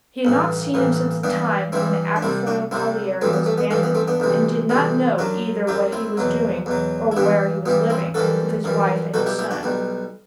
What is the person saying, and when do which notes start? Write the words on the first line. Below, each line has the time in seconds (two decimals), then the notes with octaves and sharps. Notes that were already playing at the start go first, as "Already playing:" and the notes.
He had not seen him since the time when the Aberfoyle colliery was abandoned, and did not know either what he was doing or where he was living, with his wife and his son.
0.25 A1 G2 E3
0.74 A1 G2 E3
1.24 G2 E3 G3 B3 D4
1.72 G2 E3 G3 C4 E4
2.16 D4
2.22 C2 C3 G3 C4 E4
2.47 D4 F#4
2.71 C2 C3 G3 C4 E4
3.21 G2 E3 G3 A3 C4
3.33 B3
3.46 A3
3.58 B3
3.71 G2 E3 G3 A3
3.83 B3
3.95 A3 C4
4.07 B3 D4
4.20 D2 C3 E3 G3
4.69 D2 C3 E3 G3
5.18 F#2 F#3 D4 F#4
5.67 F#2 F#3 E4 G4
5.93 C4 E4
6.17 E2 B2 F#3
6.66 E2 B2 F#3
7.12 E4
7.16 G2 E3 G3 B3 D4
7.66 G2 E3 G3 B3
7.90 C4 E4
8.14 F#2 E3 G3 F#4 A4
8.64 F#2 E3 G3
9.14 B1 B2 G3 F#4 A4
9.26 E4 G4
9.39 E4 G4
9.51 D4 F#4
9.63 B1 B2 G3